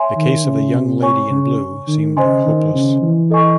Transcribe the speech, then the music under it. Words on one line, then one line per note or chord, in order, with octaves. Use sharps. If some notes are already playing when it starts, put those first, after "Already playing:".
The case of the young lady in blue seemed hopeless.
Already playing: C#5 E5 G#5 C6
D#3
C#3
C3
C#5 G#5 C#6
C#3
D#3
C#3 C5 D#5 G#5 C6
D#3
C#3
E3
A4 D#5 G#5 C#6